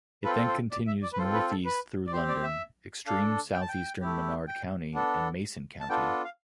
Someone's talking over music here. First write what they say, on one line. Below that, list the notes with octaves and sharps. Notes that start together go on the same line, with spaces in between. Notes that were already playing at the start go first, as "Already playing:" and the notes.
It then continues northeast through London, extreme southeastern Menard County, and Mason County.
C4 F4 A4 B4
C5
D5
E5
D5
B4
C4 F4 A4 C5
B4
A4
B4
D5
C4 G4 C5
D5
E5
D4 A4 F5
G5
A5
G5
A3 E4 G4
G5
B3 D4 A4
A5
B3 D4 F4 A4 G5
F5